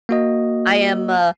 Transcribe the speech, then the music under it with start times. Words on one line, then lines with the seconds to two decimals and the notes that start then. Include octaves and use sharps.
I am, uh
0.09 A#3 F#4 D#5